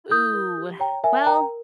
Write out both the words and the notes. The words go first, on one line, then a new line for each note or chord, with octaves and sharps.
Ooh, well,
E4 D#6 G6
A#4
G4
C#5 G5 A#5
A#4 E5 G#5
A#4 G5 A#5